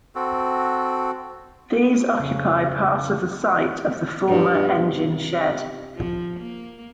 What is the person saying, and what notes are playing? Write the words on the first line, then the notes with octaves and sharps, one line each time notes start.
These occupy part of the site of the former engine shed.
C4 F#4 A4
F2 C#3
G2
C3
F3
A#3